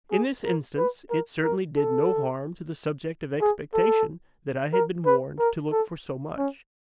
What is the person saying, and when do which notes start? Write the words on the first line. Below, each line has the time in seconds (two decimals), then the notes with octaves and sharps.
In this instance it certainly did no harm to the subject of expectation that I had been warned to look for so much.
0.12 G#4
0.45 A#4
0.78 B4
1.10 A#4
1.43 A#4
1.77 A4
3.41 G#4
3.74 A4
4.73 A#4
5.06 B4
5.39 A#4
5.72 A4
6.38 C#4